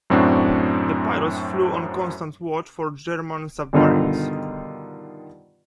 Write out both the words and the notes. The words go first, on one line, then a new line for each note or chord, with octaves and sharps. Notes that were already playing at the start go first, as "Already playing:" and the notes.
The pilots flew on constant watch for German submarines.
F#2 A2 C4 D4 F#4
G2 B2 D3 D#3 D#4 F4